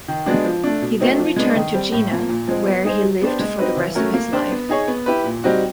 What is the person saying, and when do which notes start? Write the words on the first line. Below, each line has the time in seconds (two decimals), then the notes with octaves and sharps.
He then returned to Jena where he lived for the rest of his life.
0.08 D#3
0.26 G#3 B3 D4 F#4
0.44 F3
0.64 A3 D4
0.81 B2
1.00 F#3 A3 C4 D#4
1.19 F3
1.36 G#3 B3 D4
1.56 D#3
1.74 G3 C4
1.92 A2
2.11 F3 A#3
2.29 A#2
2.47 F3 G#3 C4
2.66 B3
2.85 D#4 G#4 C5
3.03 F#3
3.21 B3 D4 G4 C5
3.39 G#3
3.59 C4 D#4 F#4 B4
3.77 E3
3.95 A3 C#4 F#4 A#4
4.14 A#3
4.32 D4 G4 C5
4.51 B3
4.69 D#4 G#4 C#5
4.88 B3
5.06 E4 G4 B4
5.24 A#2
5.44 G3 C4 D#4 F#4